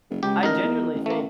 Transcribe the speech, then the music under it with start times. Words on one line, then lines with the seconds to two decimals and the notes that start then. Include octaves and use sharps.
I genuinely think
0.10 F#1
0.23 C#2 G4
0.43 A1 D#4 A#4
0.63 E2
0.94 A1
1.06 A3 A#3